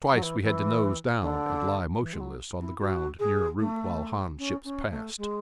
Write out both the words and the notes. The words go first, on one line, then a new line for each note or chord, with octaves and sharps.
Twice we had to nose down and lie motionless on the ground near a route while Han ships passed.
F#3
E3
E3
D3
E3
G#3
F#3
E4
F#4
G#4
A3
C#4
C#4
A3
G#3